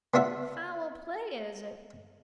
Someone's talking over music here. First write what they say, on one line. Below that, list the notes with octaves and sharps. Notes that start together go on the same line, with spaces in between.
Foul play, is it?
B3 D4 F4 E5 F#5